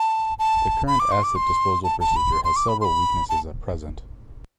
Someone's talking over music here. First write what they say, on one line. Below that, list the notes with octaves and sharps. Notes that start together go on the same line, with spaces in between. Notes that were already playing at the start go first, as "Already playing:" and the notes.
The current asset disposal procedure has several weaknesses at present.
Already playing: A5
A5
B5
D6
C6
D6
C6
A5
A5
B5
C6
C6
D6
B5
C6
B5
A5